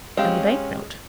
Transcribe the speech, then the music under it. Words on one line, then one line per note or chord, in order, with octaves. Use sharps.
"And the bank-note?"
G#3 C4 C#4 G4 F5